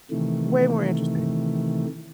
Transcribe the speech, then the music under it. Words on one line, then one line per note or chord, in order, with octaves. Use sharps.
way more interesting.
C3 D#3 E3 A3